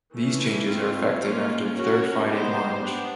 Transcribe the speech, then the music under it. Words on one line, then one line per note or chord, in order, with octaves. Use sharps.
These changes are effective after the third Friday of March.
E3 A3 C#4
A3 C4 F4
A#3 C#4 F4
C#4 F#4 A#4 C#5
B3 D#4 G4 C5
B3 D4 G4